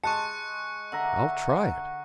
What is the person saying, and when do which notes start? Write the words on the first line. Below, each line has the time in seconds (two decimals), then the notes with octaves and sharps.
I'll try it.
0.04 G#3 A5 C#6 F#6 C#7
0.92 D3 E5 F#5 A#5